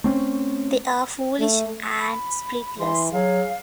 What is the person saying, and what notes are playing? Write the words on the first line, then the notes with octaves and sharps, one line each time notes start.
They are foolish and spiritless.
A3 C4 C#4
A3
B5
E3 C6
F#3 G#4 F5